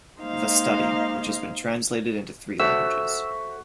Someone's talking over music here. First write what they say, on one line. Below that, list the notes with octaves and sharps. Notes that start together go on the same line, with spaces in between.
The study, which has been translated into three languages.
G#3 A#3 D#4 C5 F5
F#4 A4 C5 E5 E6